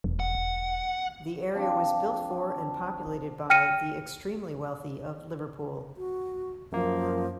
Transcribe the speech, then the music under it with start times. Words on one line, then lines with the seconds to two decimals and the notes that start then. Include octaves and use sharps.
The area was built for and populated by the extremely wealthy of Liverpool.
0.04 E1
0.20 F#5
1.54 F3 C4 D4 D6
3.50 G5 F6 A#6 C#7 D#7
5.97 F#4
6.72 F#2 F3 A#3